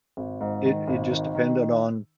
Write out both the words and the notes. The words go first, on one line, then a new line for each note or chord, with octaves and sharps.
It it just depended on
G#1
G#2
D#3
G#1
D#3
D#3